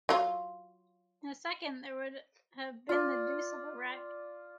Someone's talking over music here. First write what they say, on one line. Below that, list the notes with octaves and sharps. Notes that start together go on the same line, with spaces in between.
In a second there would have been the deuce of a wreck.
F#3 F4
F4 D5